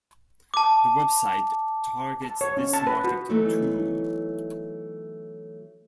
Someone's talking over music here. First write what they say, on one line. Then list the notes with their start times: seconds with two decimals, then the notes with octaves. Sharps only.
The website targets this market too.
0.54 A5 D6
2.22 A5
2.41 C#5
2.57 C#4
2.73 A5
2.87 B4
3.04 F#4
3.29 E3 F#3 A3 B3 D#4 E4